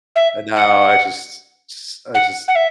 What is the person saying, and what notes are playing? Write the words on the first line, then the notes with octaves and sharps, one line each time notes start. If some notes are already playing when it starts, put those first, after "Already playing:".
and now I just just I just
E5
F#5
F#5
F#5
E5